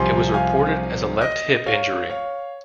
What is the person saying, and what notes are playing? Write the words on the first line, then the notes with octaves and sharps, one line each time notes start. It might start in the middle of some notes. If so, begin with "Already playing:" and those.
It was reported as a left hip injury.
Already playing: C2 C3 F3 G#5 C6
F5 G#5
D#5
C#5 F5
C#5 F5